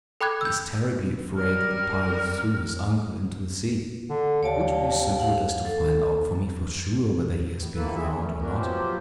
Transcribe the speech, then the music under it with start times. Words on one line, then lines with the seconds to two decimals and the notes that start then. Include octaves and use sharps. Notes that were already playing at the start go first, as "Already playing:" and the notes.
"And he is terribly afraid that the pirates threw his uncle into the sea. Would you be so good as to find out for me, for sure, whether he has been drowned or not?"
0.21 A4 G5 B5 D6 F#6 G#6
0.41 E6 G6
1.36 G3 A#4 F6
4.10 D3
4.43 D#2 C#5 D5 A5
5.20 F5 F#5
5.65 A4
7.54 A2
7.74 F2 G#2 A#3 E4 A4 B4
7.96 F2 C#3 C4 E4 G#4 E5
8.15 A3 C#4
8.40 A3 C#4 D4 F#4 A#4
8.56 B2 F3 F#3 F4 G4 C5